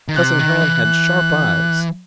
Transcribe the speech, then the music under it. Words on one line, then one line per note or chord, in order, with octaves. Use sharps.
Cousin Helen had sharp eyes.
D#3
C3 F#6
D#3
E3
E3